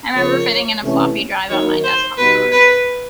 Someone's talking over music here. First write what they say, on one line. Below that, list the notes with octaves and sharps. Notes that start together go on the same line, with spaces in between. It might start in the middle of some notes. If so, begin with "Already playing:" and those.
I remember fitting-in a floppy drive on my desktop tower.
C#3 F3 A#3 C#5
C3 E3 A3 C#4
D#3 F#3 A#3 D#4 C#5
C5
B2 G3 B3 D#4 B4
B4